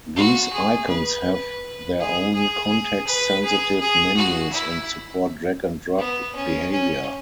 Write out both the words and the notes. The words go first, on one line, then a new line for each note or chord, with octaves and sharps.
These icons have their own context-sensitive menus and support drag and drop behaviour.
F#4
G#4
B4
G#4
G#4
B4
G#4
G#4
F#4
E4
B3
C#4
C#4